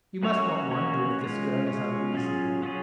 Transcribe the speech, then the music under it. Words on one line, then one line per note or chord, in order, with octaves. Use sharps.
You must not wonder if this girl is unreasonable.
A#3 C#4 F#4 C#5
A#3 C#4 F#4 C#5
G#3 C#4 F4
G#3 C#4 F4
F#3 C#4 F4 G#4
F#3 C#4 F4 G#4